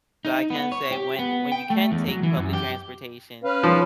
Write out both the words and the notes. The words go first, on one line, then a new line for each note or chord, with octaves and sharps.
So I can say when when you can take public transportation,
D#4
B3
C#5
G4
B3
G5
A3
E2
F#3
E3
F#2
G4
C#4 B4 F5
F3